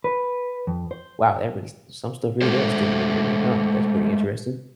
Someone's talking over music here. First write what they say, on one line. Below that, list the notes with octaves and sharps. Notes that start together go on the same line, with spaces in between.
Wow, that really s some stuff really does stick in your memory, huh? That's pretty interesting.
B4
F2
C5
G#3 A3 A4 C5